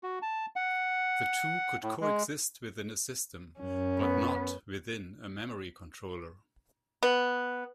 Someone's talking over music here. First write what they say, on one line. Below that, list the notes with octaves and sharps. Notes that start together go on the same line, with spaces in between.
The two could co-exist within a system, but not within a memory controller.
F#4
A5
F#5
A2
G#3
F#2 C#4
B3
B3